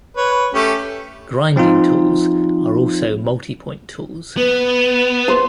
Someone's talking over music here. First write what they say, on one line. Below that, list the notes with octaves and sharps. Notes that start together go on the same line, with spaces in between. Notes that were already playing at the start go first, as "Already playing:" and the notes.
Grinding tools are also multipoint tools.
B4 C#5
A3 C#4 G4
F3 C4 D#4 F4
B3 B4
C5